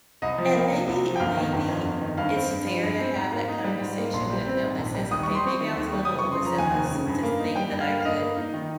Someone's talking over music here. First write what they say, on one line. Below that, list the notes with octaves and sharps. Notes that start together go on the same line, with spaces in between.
And maybe maybe it's fair to have that conversation with him that says, "Okay, maybe I was a little overzealous to think that I could
C2 D#5
F3
A#3
C3
C2
F3
G5
G1 F5
D#3
G1
F2
G1
D#3
G2 F5
C4
G2
F3
G2
C4
G#2 A#5
A#3
D#4
G3
G#2
A#3
A#1 C6
G3
C4
G#2
A#1
G3
D#2 D#6
G3 C#6
C6
C4 C#6
D#3
D#2
G3
F1 D#6
C#6
C#3
C6
F3 A#5
D#2 G#5
F1
C#3
G2
A#3
D#4
G3 G5
G2
F5
A#3
F5
G2 D#5
A#3
D#4
D#3